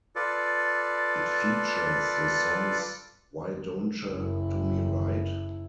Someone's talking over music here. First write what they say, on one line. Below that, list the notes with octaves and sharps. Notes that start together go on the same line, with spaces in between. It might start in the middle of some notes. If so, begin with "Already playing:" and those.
It features the songs Why Dontcha Do Me Right?
F4 A4 B4 D5
F#1 E4